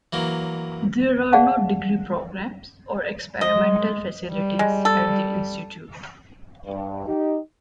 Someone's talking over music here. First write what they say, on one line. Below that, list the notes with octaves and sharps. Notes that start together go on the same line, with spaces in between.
There are no degree programs or experimental facilities at the Institute.
E3 F#3 A#3
G#4 D5 F5 F#5 A5
G#3 D#5
G3
G#3
A4
G2
D#4 G4